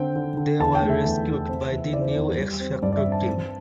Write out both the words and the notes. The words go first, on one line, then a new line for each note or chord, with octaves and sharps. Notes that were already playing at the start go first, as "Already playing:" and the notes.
They were rescued by the new X-Factor team.
Already playing: D3 C4 G5
D3
D3
E2 A5
G5
A3
E5
E2
E2
C4
E2
E3 D5
C5
D5
E2
G3
C4
G2 D5
D5
E5
C4
A5
C4